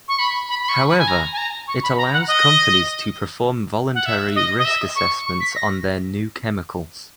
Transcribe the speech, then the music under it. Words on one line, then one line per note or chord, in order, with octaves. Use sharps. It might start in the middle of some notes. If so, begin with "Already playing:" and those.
However, it allows companies to perform voluntary risk assessments on their new chemicals.
C#6
B5
B5
B5
C#6
B5
G#5
A#5
G#5
A#5
C#6
B5
A#5
F#5
D#5
F#5
E5
D#5
D#5
E5
C#6
C#6
B6
A#6